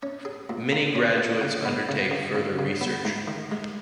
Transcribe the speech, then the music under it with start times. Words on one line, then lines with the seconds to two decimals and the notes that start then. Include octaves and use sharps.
Many graduates undertake further research.
0.03 C#4
0.25 G#4
0.49 A#2
0.72 A#3
0.95 C#4
1.18 A#2
1.41 C#3
1.65 B3
1.89 C#3
2.11 C#3
2.35 C#3
2.59 C#3
2.81 B3
3.05 G#2
3.28 D#3
3.52 G#3